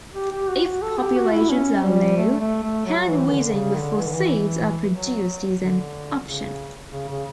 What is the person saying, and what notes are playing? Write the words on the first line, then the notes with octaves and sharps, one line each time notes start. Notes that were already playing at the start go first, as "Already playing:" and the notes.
If populations are low, hand weeding before seeds are produced is an option.
G4
G4
F#4
F#4
A4
G4
F#4
E4
C#4
G3
A3
A3
A3
F#3
E3
D3
C#3
D3
E3
D3
E3
F#3
D3
C#3
C#3
C#3